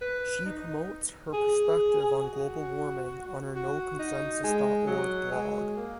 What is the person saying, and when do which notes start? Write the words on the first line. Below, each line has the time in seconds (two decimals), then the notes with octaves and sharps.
She promotes her perspective on Global warming on her noconsensus dot org blog.
0.01 B4
0.45 D#4
1.34 G#4
2.23 F#4
3.55 F#4
3.99 D#4
4.44 G#3
4.87 F#3
5.32 G#3
5.76 A#3